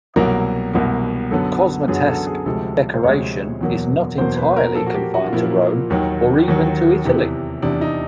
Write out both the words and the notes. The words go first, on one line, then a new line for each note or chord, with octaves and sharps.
Cosmatesque decoration is not entirely confined to Rome, or even to Italy.
C2 B2 F#3 A#3 A#4
C2 B2 F#3 A#3
F#2 D3 F#3 B3 A4
F#2 D3 F#3 B3 G#4
A4
G#4
D2 C3 F3 G#3 A4
C5
D2 C3 F3 G#3 C#5
E2 B2 F#3 A#3
E2 B2 F#3 A#3 C5
B4
A#4
A#2 F3 A#3 A4
F#4
G4
F#4
F4
A#2 F3 A#3 E4
D#2 D#3 F#3
D#2 D#3 F#3
E2 C3 E3
E2 C3 E3 D4
D#4